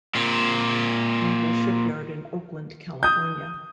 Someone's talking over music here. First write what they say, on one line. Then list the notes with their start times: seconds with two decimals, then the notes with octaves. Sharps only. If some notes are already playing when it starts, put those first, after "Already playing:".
Naval Shipyard in Oakland, California.
0.15 A#2 C4
3.03 D#6 G6